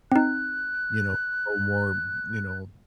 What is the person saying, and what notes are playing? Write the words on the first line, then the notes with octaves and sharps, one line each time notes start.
you know, grow more, you know,
C4 D#4 F#6